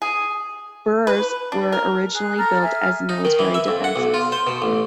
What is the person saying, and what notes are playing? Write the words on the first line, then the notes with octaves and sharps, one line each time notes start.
Burhs were originally built as military defences.
G#4
B4
D4
A#4
G#4 F#6
A4 A#5 F6
G#4 E5 G#5 F6
D#4
D#3
E3
E5
F2
F#5
B1
F4
C5
B2
A1